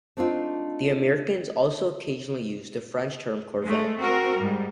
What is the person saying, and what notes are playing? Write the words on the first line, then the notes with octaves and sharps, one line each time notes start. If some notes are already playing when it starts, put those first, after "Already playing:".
The Americans also occasionally used the French term corvette.
A3 C4 D4 D#4 F4
G#3 A3
C4 F#4 A#4
G#2 G3